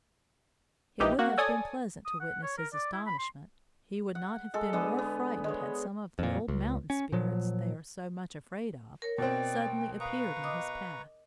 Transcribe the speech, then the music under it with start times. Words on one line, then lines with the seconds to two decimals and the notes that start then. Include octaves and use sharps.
It would have been pleasant to witness his astonishment; he would not have been more frightened had some of the old mountain spirits they are so much afraid of suddenly appeared in his path.
1.00 A#1 E3 D#4 G4
1.19 A#3 F#4
1.38 A4 C#5 D5 G#5 D#6
2.06 D#6
2.20 F#5
2.43 C#5
2.58 A#4
2.73 D5
2.93 E4
3.06 B5
3.19 C6
4.15 F#5
4.54 G#3 A4
4.73 D3 G#3 B3
4.99 B3
5.44 G#3 C#5
6.19 F2 A#2
6.48 C#2
6.90 C#4
7.12 A#2 F3 F#3
9.02 A#4 C#5
9.18 B2 C4 D5 G5
10.00 B4 F5 A#5 C#6 D#6
10.43 D#5 D6 D#6